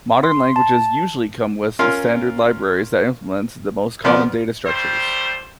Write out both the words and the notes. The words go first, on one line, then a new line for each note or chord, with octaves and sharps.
Modern languages usually come with standard libraries that implement the most common data structures.
C6
A5
C#4 F4 A#4 F5 C6
F2 F3 B3 D5
G3 A3 C5